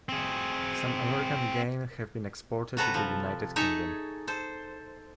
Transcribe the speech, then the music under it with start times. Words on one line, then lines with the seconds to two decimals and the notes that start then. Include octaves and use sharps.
Some American Game have been exported to the United Kingdom.
0.09 C4 G#4
2.77 C3 F#4 A4 B4 A#5
2.94 F3
3.56 D#4 G#4 A4 C#5 E5
4.27 A4 C5